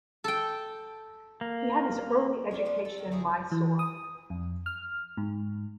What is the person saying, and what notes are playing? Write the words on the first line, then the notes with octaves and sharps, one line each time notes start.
He had his early education in Mysore.
A4 G5
A#3
D4 F4 C#5
F3 G3 A#3 D4
A4
D#3 A4
A3 A#3 E4 G#4
E3
D#6
F2
F6
G#2